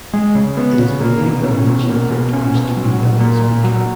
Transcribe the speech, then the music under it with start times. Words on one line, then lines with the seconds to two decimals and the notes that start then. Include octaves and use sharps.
It is believed that an ancient crypt used to be at its peak.
0.13 G#3
0.35 C#3
0.57 B3
0.79 C#3
1.00 A#3
1.23 B2
1.44 C#4
1.67 B2
1.89 A#3
2.10 B2
2.33 C#4
2.55 B2
2.77 F#3
2.98 A#2
3.20 A#3
3.42 A#2
3.64 F#3